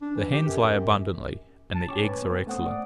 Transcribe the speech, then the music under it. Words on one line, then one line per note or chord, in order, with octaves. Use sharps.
The hens lay abundantly, and the eggs are excellent.
D4
E3
G4
F#2
F#2
A5
C#4 G5 C#6 D6
A2 B4
B3
A3 C4 F#5 D#6
D5